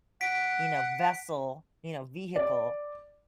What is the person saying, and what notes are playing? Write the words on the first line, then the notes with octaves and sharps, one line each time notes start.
you know, vessel, you know, vehicle,
F#5 B6 D7
D5